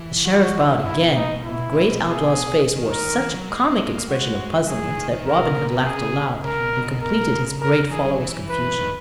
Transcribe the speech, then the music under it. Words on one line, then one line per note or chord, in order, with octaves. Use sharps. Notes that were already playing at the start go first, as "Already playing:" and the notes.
The Sheriff bowed again, and the great outlaw's face wore such a comic expression of puzzlement that Robin Hood laughed aloud, and completed his great follower's confusion.
Already playing: E3
F#4
B2
C#3
D#3 E4
C#3
B2
D#4
E4
A#2
B2
G#4
D#3
A#4
E3
F#3
G#3
G#3
G#3
A#3
G#3 F#4
F#3 G#4
E3
D#3
D#3
C#3 A#4
B2
A#2
B2
C#3 G#4
C#3 A#4
B2
B2
A#4
C#3
A#4
E3 G#4
F#3
E3
B4
D#3